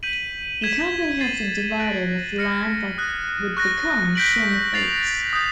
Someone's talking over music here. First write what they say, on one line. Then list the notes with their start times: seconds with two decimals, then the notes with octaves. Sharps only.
The company had subdivided of land that would become Sherman Oaks.
0.03 G6 B6 D#7 F#7
0.61 G#6 B6 E7 G7
1.20 A6 C7 D#7 F#7
1.79 F#6 A#6 D7 F#7
2.38 F6 A#6 C#7
2.98 D#6 F#6 A#6
3.57 C#6 F#6 A#6
4.15 G6 B6 D7 F#7
4.74 A6 C7 F7
5.33 D#6 G6